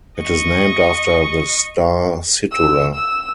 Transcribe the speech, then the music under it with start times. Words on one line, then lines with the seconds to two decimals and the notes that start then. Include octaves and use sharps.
It is named after the star Situla.
0.22 D#5 C#6
2.52 E6
2.94 E6